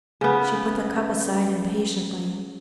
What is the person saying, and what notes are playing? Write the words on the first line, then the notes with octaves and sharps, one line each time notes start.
She put the cup aside impatiently.
C#3 B3